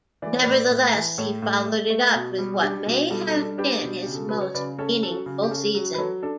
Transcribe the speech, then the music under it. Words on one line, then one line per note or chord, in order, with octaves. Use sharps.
Nevertheless, he followed it up with what may have been his most meaningful season.
E3 D5
C#5
A2 B4 D5
A2
E3
A2 A4 C#5
A2
A3
A3
B2
G3
D4 G4
B2
G3 A4
A4
D4
A4
D4 G4 B4
B2
C#3 G4
A4
F#3 B4
C#5
C#3 B4 D5
C#4 A4 C#5
F#3 A4
C#3
G4
C#4 A4
F#3
B4
F#3 A4 C#5
D4 A4